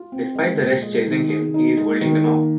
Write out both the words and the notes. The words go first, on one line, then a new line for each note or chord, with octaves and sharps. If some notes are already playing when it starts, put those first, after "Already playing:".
Despite the rest chasing him he is holding them off.
Already playing: F4
C4
G#3
A#2
G#3
D#3
G#4
D#4
G#3
D#3
A#3